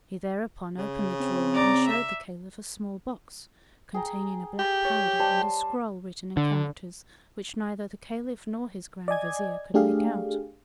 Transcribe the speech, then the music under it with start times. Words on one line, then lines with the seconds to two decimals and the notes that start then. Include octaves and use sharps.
He thereupon opened the drawer and showed the Caliph a small box, containing a black powder and a scroll written in characters which neither the Caliph nor his Grand Vizier could make out.
0.78 C#3
1.20 C4
1.54 D5 A#5
1.87 E5
3.94 G#4 G5 A#5
4.59 G4
4.84 C#5
5.19 G3 C5 A5
6.37 D3
9.08 D5 D#5 G#5 G#6
9.74 A3 D4 G4 G#4 F5